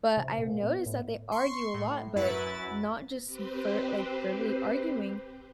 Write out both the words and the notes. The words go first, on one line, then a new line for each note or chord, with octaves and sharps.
but I noticed that they argue a lot, but not just ver like, verbally arguing,
C3
A#2
B3
A2
C6 C#6
A2
F#2 F#3 E4 B4 A6
C4 G4 B4 C5